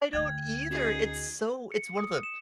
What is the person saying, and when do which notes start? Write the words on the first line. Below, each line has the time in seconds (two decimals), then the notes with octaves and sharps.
I don't either. It's so it's one of the
0.13 D2 G5 F6 G#6
0.70 C#4 D#4 F#4 G#4 C7
1.72 C#7
1.97 D#6
2.23 E7